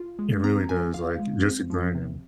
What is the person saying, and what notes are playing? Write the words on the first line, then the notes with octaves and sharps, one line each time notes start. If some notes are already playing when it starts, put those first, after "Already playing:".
It really does, like, just grinding.
Already playing: F4
G#3
C4 A#5
F3 G#5
F4 F5
G#3
C4
F3
C3